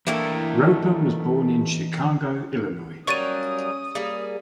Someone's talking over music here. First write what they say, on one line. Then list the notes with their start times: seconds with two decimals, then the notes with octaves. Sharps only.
Roeper was born in Chicago, Illinois.
0.07 E3 A3 A#3 D4 E4 G5
3.07 F#3 G3 A#3 C#4 C#6 D#6 A6 D#7
3.95 G3 A#3 G#4